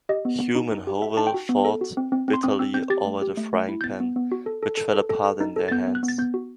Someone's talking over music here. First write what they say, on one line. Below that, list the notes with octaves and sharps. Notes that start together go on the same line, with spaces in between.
Hume and Hovell fought bitterly over the frying-pan, which fell apart in their hands.
G4 D#5
B3
B3
D#4
D#4
G4
A4 E5
D#4 A5
G5
F#4
B3
A4
F#4
C4
C4
C4
C6
C4 D#6
C4 E6
C4 G6
G4 A6
A3
G4
A3
A3
E4
G6
B3 A6
B3
B3
F#4
A4
A4
A4
A4
A4
A4
D#4
A4
A6
B3 G6
B3
F#6
B3
A6
B3 G6
F#4